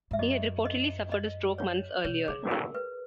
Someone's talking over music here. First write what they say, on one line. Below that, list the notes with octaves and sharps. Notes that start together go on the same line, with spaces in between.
He had reportedly suffered a stroke months earlier.
G#2 E5
F#2 D#5
D#5
D#5
C#5
B2 C#5
C#3 G#4
A#4
B4